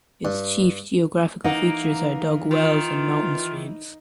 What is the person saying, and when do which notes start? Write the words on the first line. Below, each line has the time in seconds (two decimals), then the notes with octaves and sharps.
Its chief geographical features are dug wells and mountain streams.
0.25 G2
1.44 E3 A#3 D#4 F#5
2.51 D#3 F4